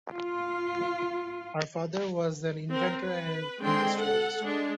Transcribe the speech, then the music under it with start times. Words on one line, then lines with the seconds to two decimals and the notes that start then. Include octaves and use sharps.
Her father was an inventor and an industrialist.
0.11 F4
2.71 C4 A#4
3.00 B4
3.60 D3 G#3 C4 D4 G5 C6
3.95 A4 F#5
4.43 G#3 D4